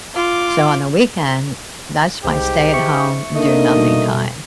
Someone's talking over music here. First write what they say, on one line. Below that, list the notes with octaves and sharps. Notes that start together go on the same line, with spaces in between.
So, on the weekend, that's my stay-at-home, do-nothing time.
F4 D6
C2 G#2 G4
E5 C#6 C#7
A3 A#3 D4 D#4 D#5
B2 G3